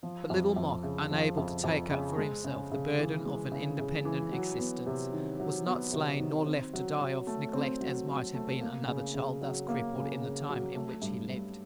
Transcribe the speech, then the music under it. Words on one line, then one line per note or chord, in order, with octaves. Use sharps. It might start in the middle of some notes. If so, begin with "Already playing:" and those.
But Little Mok, unable to take up for himself the burden of an independent existence, was not slain nor left to die of neglect as might have been another child thus crippled in the time in which he lived.
F3
F2
F2
C#3
F3
F2
F2
C#3
G#3
C#3
C#3
E3
G#3
C#3
C#3
E3
F#3
B3
C3
D#3
F#3
B3
C3
D#3
C4
F#3
F#3
A3
C4
F#3
F#3
A3
A#3
C#3
C#3
F#3
A#3
C#3
C#3
F#3
A3
G2
G2